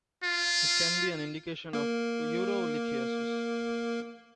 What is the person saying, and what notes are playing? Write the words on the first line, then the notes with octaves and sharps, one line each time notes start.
It can be an indication of urolithiasis.
F4
A#3 A#4